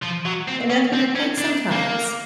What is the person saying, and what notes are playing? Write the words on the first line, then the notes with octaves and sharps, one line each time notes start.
And that's what it takes sometimes.
F3
F#3
C4
C#4
C4
C#4
D4
A#3